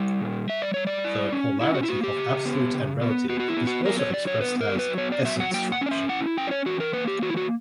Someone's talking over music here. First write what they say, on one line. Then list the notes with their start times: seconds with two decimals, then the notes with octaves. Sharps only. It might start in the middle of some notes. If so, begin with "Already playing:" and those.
The polarity of absolute and relative is also expressed as "essence-function".
Already playing: G3 E4
0.21 A#2
0.49 G3 E5
0.62 D5
0.74 G3 C#5
0.87 D5
1.04 E4
1.33 C#4
1.61 C#4 E4
1.75 F#4
1.83 E4
1.89 A#3 F#4
2.03 G4
2.17 C#3
2.45 B3
2.74 C#3
3.02 B3
3.29 B3 F#4
3.40 F#4
3.48 E4
3.57 B3
3.67 F#4
3.85 F#3 A#4
3.99 C#5
4.13 D3 D5
4.27 C#5
4.41 B3 B4
4.61 A#4
4.70 F#3
4.79 B4
4.98 B3 C#5
5.12 D5
5.25 F#3 E5
5.40 F#5
5.53 A#3 G5
5.72 F#5
5.81 C#4 D5
5.91 E5
6.09 E4 F#5
6.37 C#4 G5
6.47 D5
6.51 C#5
6.66 E3 F#4
6.80 A#4
6.93 A#3 B4
7.07 G4
7.22 E3 F#4
7.29 E4
7.37 F#4